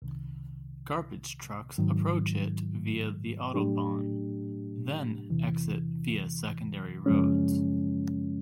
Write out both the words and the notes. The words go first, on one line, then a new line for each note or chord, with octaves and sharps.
Garbage trucks approach it via the autobahn, then exit via secondary roads.
C2 C3 D#3
G#2 D#3 F#3
A2 F#3 A3 D4 G4
E2 C3 E3
F#2 C#3 F3 G#3 C#4